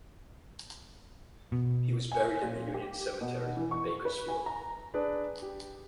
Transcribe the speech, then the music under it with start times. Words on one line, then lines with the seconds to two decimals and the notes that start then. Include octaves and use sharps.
He was buried in the Union Cemetery in Bakersfield.
1.52 B2
2.12 G#5
2.42 A#2
2.74 G4
3.21 B2
3.57 E3
3.71 C#6
4.05 B4
4.28 G#5
4.46 A#5
4.94 D4 G#4 B4 D5
5.42 G4